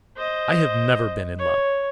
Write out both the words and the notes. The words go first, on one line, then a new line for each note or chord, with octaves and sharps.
"I have never been in love."
C5 D#5
C#5